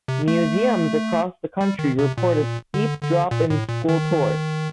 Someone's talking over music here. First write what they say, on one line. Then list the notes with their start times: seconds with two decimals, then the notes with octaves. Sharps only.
Museums across the country report a steep drop in school tours.
0.08 C3
0.28 A3
1.61 G3
1.79 D#3
1.99 C3
2.18 A#2
2.74 D3
3.03 D3
3.31 A#2
3.50 A2
3.69 A#2
3.89 D#3